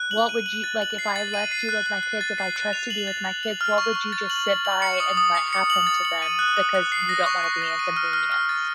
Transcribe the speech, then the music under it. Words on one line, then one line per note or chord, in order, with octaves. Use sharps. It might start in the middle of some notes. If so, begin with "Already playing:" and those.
what would you like, if I left you with my kids, if I trusted you with my kids, what would you just sit by, and let happen to them because you don't want to be inconvenienced?
Already playing: F#6
F#7
D#7
F#7
A6
F#7
C7
A6
D#7
C7
F#6
F#6
F#6
A6
C7
F#6
F7
F#7
A6
A6
F#7
F6
C#6
C#6
A6
F#7
F#7
F#7
C#7
D#6
D#6
C#7
C#7
F#7
A6
F#7
D#7
F#6
D#6
F#6
C7
A#6
C#6
C#6
A#6
D#7
F6
F6
F6
A6